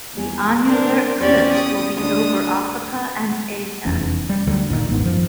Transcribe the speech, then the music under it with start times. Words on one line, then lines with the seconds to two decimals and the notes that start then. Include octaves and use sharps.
The annular eclipse will be over Africa and Asia.
0.15 E2 G#5
0.66 D4 A#4 C5
1.19 E2 C#4 G4 C5 D5 G#6
1.51 D#6
1.95 D2 G#3 D4 D#6
3.85 F1 E2 C#4
4.29 G3
4.46 D2 D3 F#3 G3
4.69 G1 A#2 D3 D#3
4.89 D#1 G#1 G#2 B3
5.05 F#2 F3